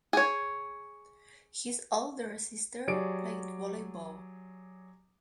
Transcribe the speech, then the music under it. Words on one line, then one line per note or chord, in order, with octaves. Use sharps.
His older sister played volleyball.
G#4 C#5
F#3 G4 G#4 D5 D7